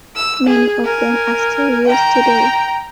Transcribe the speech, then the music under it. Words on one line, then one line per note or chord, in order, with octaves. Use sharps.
Many of them are still used today.
E6
G#4
A#4 G#5
G5 A#5